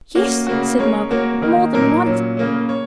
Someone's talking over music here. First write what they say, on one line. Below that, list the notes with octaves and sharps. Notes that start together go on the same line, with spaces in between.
'Yes,' said Margaret, 'more than once.
A#3 C#4 F#4
C#3 A#3 F#4
G#3 C#4 A#4 C#5
A#3 F#4 A#4 C#5
D#3 A#3 D#4 A#4
A#2 F#3 A#3 D#4 A#4
A#2 F#3 C#4
C#3 A#3 C#4
C#5